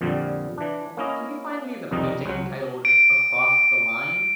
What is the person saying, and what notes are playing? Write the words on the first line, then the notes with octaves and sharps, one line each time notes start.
Can you find me the painting titled Across the Line?
F2 A#2 D3 G3
E3 D4
A#3 C#4 E4 D#5
C2 F2 D#3 G3 D#4 D#5
C#2 F#3
D7